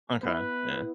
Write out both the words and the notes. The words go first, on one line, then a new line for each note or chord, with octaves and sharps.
Okay. Yeah.
B3 E4 B4